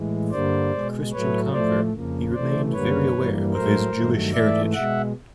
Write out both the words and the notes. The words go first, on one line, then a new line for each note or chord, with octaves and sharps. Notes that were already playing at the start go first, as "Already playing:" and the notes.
A Christian convert, he remained very aware of his Jewish heritage.
Already playing: A2 E3 G#3
G2 D3 G3 A#3 C5 D5
B2 G#3
A2 F#3 A3 B4 C#5
A2 F3 A3 C5 D5
F2 C#3 F3 A#3
C3 E3 A3 C5 D5
F#2 D3 G3 A#3 B4 C#5
G2 E3 G3 A#3
A2 F#3 A3 A#4 C5
G2 D#3 F#3 A3
G#2 E3 A3 D5 E5
B2 G#3 E5 F#5